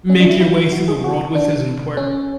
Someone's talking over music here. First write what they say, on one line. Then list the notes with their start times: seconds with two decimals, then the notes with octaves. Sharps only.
make your way through the world with is important.
0.10 C#4
0.20 D4
0.30 E4
0.40 E4
0.72 F#4
0.88 G#4
1.04 F#4
1.35 D4
1.97 C#4